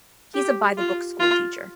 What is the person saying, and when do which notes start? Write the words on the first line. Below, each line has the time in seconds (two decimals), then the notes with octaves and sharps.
He's a by-the-book school teacher.
0.34 G4
0.77 F4
1.20 F4